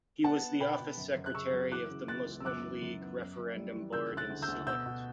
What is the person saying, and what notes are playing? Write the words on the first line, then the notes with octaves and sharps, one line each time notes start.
He was the office secretary of the Muslim League referendum board in Sylhet.
B3 F#5 A5
B3
B2 G5 B5
B2
F#2
F#2
F#6
C#3 C#6 E6
F#3
E3 D6 F#6
C#3
B3 F#6 A6
C#2
E6
F#2 D6 F#6
E3
F#2
B3
F#2
F#2
G3
E3
C#3 E6 G6
D2
F#6 A6
D2
E6 G6
D2
B2 E6 G6
B2